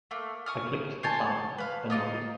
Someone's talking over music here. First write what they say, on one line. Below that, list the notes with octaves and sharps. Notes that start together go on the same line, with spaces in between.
I clicked the tongue, annoyed.
A3 A#3
C#6 D#6 F6
C5 C#5 G#5 A5
B4 F5
D#4 F4 D5 D#5